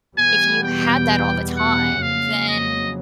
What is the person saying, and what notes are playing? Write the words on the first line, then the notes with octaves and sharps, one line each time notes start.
if you had that all the time, then,
E2 B2 G3 B3 G#5
G5
F#5
F2 C#3 F#3 A#3 F5
D#5